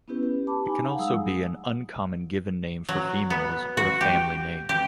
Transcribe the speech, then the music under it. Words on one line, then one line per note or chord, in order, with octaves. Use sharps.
It can also be an uncommon given name for females or a family name.
B3 C#4 E4 G4 B4
G4
A5 B5 D6
D#4 G#5 A#5
F5 F#5
F#3 G#3 G#4 F5 D#6 E6
F#3
B3
F#4
G4
G4